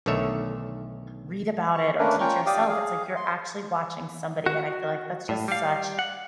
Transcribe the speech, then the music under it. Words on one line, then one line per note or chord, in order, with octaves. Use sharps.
read about it or teach yourself, it's, like, you're actually watching somebody, and I feel like that's just such
B1 D3 D#3 A3 C#5 E5
C#6
A3 A#3 C#4 D4 A#4 B4
C#4 F4 G5 A#5 C#6
G4 D5 F5 G5 D6 D#6
G#4 F5
C6
F#4
A2
G3 F5
F#5